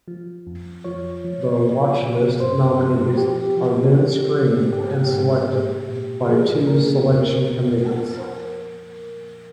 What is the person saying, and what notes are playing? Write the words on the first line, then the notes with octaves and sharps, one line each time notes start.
All Watch List nominees are then screened and selected by two Selection Committees.
F3
F2
F3 C#5
F3
A#2
A#2
G2 C5
F3
F3 G4
F3
F3
F3
G#2 G4
G#2
A#2
A#2
F3 G#4
A#2 A#4
F2